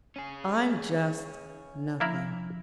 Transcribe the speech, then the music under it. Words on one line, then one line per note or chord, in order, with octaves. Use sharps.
"I'm just nothing."
C#4 G#4
F3 A#3 E4 A#4